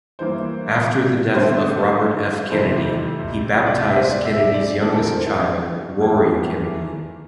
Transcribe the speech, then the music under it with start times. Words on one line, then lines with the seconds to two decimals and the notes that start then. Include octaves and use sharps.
After the death of Robert F. Kennedy, he baptized Kennedy's youngest child, Rory Kennedy.
0.19 G2 E3 A#3 C5
1.35 G2 D3 A3 C4 C5
2.51 F2 C3 E3 A3 C5
3.66 E1 D2 C3 D5
3.80 E5
3.96 C5
4.11 D5
4.25 E5
4.54 D5
4.82 F1 E2 D3 G3 A4
4.92 A4
4.97 A#4
5.11 C5
5.26 E5
5.98 F1 E2 E3 A#3